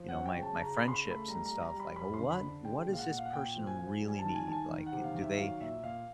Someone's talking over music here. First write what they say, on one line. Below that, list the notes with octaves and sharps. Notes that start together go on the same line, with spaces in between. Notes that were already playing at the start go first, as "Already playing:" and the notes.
you know, my my friendships and stuff, like, "What what does this person really need?" Like, do they
Already playing: F3
F#5
F#2
G5
C#3
A5
C#3 A#5
B5
C#3
C6
B5
A3
B5
G3 A#5
A#5
G3
A#5
G3
B5
F2 B5
C6
D3
B5
D3
G#3 G5
A#2
F5
F#5
A#2
F5
F#5
A#2 G5
F3
G#5
F3
G3
G#5
A5
D#3
G#5
D#3 A5
G#5
D#3
F#5
C3
F5
D#3
E5
F#3 F5
A#2 E5
A#2 F5